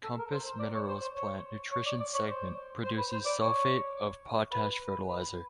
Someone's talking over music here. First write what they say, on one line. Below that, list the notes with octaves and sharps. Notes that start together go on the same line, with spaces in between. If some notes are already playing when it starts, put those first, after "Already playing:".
Compass Minerals' Plant Nutrition Segment produces sulfate of potash fertilizer.
A4
A#4
C5
C5
D5
C#5
C5
C5
C#5
C#5
D5
D5
C#5
C5
C5
B4
C5
D5
C#5
B4
B4